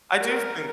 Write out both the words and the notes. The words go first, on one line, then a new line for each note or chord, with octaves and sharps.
I do think
A#4